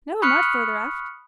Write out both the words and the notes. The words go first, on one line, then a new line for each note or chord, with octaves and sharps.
"No, not further aft."
B5 C#6 D#6 F6 F#6 C#7